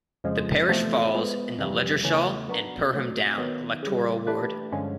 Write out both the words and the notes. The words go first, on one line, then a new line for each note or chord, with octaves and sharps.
The parish falls in the 'Ludgershall and Perham Down' electoral ward.
F2 C#3 F3 G#3
E2 C3 F3 A3 C4
F3 G#3 B3
F2 C3 E3 G3 A#3
E2 C#3 E3 A3 C#4
F#3 B3 D4 F#4 A#4
F#3 A3 C4
D#3 F#3 B3
C#3 E3 G3
E3 A3 D4 G4 B4
G2 D3 F3 G#3 C#4